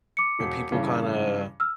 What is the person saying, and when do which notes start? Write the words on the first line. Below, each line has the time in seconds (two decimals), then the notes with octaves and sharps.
when people kinda
0.17 D6 C#7
0.40 E1
0.71 G2 C#3 E3
1.60 E6 F6